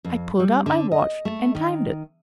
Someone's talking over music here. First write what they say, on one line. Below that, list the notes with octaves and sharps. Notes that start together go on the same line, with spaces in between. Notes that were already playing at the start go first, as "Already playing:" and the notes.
I pulled out my watch and timed it.
F2
G3
D3
D#5
A3
D#3